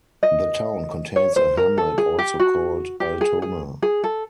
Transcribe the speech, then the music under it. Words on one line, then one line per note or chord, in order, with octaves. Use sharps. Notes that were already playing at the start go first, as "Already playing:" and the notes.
The town contains a hamlet also called Altona.
D#5
C#5
C5
A#4
A4
G#4
G4
F#4
G4
G#4
G#4
G#4
A4